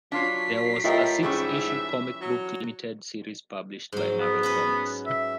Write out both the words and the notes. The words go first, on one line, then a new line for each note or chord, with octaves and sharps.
There was a six-issue comic book limited series published by Marvel Comics.
F#3 D4 F4 C#5 B6 C7
A2 E4 F4 G4 A#4 D#5
G#2 E3 G3 C#4 E4 E5 C#6
F#3
G#2 F#3
B3
C#4 F#4 B4
E5